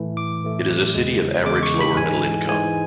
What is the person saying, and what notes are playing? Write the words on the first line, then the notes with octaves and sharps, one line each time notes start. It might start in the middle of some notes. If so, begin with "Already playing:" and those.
It is a city of average, lower middle income.
Already playing: A2 E3 A3
D6
A2 E3 A3
E2 C#3 G#3
E2 C#3 G#3 D6
C#6
B5
G#2 E3 G#3 G#5
G#2 E3 G#3 G#5